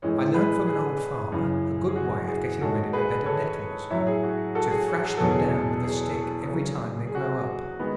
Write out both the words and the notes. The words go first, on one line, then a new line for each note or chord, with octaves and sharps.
I learnt from an old farmer a good way of getting rid of a bed of nettles--to thrash them down with a stick every time they grow up.
A2 E3 G#3 C#4
G#4 B4
G#4
F#2 C#3 E3
G#4
F#4
G#4
G#2 D#3 G#3 C#4 F#4 A4
G#4 B4
A4 C#5
A2 F#3 C#4 C#5 E5
G#4
F#4
F#4 A4
G#4
F#4
G#4
E2 B2 F#3 C#4 A4
G#4
G#4
C#3 F#3 C#4
G#4
F#4
D#3 G#3 B3